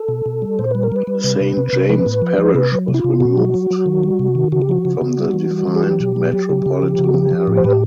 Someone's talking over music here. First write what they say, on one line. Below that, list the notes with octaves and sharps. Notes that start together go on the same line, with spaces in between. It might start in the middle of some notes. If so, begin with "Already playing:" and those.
Saint James Parish was removed from the defined metropolitan area.
Already playing: A4
B2
B2
G3
A#2 C5
G3 B4
A#4
G3 B4
G3
C3
C3
C3
C3
F3 B4
A2
F3
F3
C3 B4
F#3
C3
E4
C3 F4
B2 F#4
F#3
F#3
F#3
D#3
G3
C3
D#3
C#3 F#4
G4
F3 F#4
C#3
C#3
G3
E3
G3
E3
G#4
F#3 G4
B2
F#3
F#3
C#3
C#3
F3
C#3
F#4
F3 G4
F3
A2
C5
A2 B4